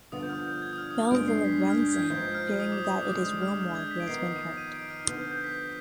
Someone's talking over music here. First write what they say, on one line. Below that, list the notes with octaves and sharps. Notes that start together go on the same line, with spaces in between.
Belvile runs in, fearing that it is Willmore who has been hurt.
G2 D3 F3 B3 F4 D#6
G6
F6
G6
G#6
D#6
F6
D#6
F6
G2 D3 G#3 B3 D4 D7
C7
B6
G#6
F6
G6
B6
G#6
G#2 F3 C4 D#4 G6
F6
D#6
D6
D#6
D3 G#3 D4 D6
D#6
F6
G6
G#6
B6
D7
F2 D#3 B3 D#4 C7
D#7
D7
F6
D3 F3 B3 G6
F6
G6
B6